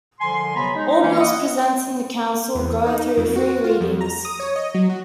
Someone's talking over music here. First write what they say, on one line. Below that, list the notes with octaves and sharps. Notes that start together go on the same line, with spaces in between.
All bills presented in the Council go through three readings.
C2 D3 F3 G#5 C6
C3 F#3 B3 G#5 A#5 B5
G#3 D#4
E3 A#3 C#4
D#5 F#5
E2
D#4
F2
F#4
F4
F2
A#5
D#6
C#5
D#5
F#3
F#4